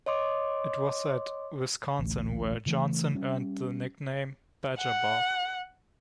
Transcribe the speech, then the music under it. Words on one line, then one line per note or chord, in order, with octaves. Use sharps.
It was at Wisconsin where Johnson earned the nickname, Badger Bob.
C#5 D#5 C6 D6
A1 D2
C#3 E3 A3
G3 C#4
F#5